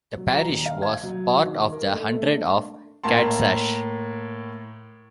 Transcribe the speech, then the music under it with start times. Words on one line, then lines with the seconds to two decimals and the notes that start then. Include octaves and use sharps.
The parish was part of the hundred of Catsash.
0.17 F#3
0.35 A#5
0.49 D#1
0.66 F5
0.82 G#6
1.03 F#3
1.45 D#3
1.72 A#4
1.93 A3
2.23 D4
3.04 A2 A#3 A5 C6